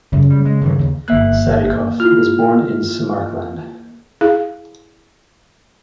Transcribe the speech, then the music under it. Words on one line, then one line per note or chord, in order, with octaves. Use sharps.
Sadikov was born in Samarkand.
F#2 C#3
G3
G#3
G2 D#3 E3
D#2
G1 A#3 E5 F#6
E4 F4 F6
E4 G#4 F5